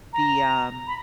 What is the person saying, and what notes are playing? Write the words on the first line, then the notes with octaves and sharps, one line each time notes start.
the, um
A#5
B5